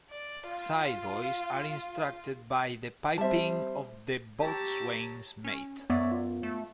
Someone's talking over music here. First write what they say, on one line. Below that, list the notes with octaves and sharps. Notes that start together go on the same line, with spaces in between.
Sideboys are instructed by the piping of the Boatswain's Mate.
D5
F4 F5
G3 C4 E5 A5
G4 C#5 A5 A#5 E6
C#4
F#2 B3 C#5 D5 E5
F4
A3